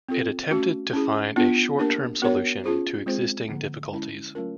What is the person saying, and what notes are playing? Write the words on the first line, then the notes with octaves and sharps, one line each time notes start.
It attempted to find a "short-term solution to existing difficulties".
C4 F4 A4
A3 C#4 F#4
C#4 E4 G#4
B3 D4 F4
A#3 D4 G4 A#4
B3 D4 F#4 A#4 C#5
C#4 F4 G#4 C5
G#3 C4 F4 G#4 C5
D3 F3 A#3
G#3 C#4 E4
F#3 A3 C#4 F4 A#4